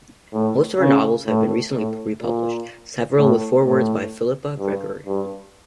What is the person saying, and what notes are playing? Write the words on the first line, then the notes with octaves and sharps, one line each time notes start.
Most of her novels have been recently republished, several with forewords by Philippa Gregory.
A2
C#3
A2
A2
A#2
A2
A2
G2
G2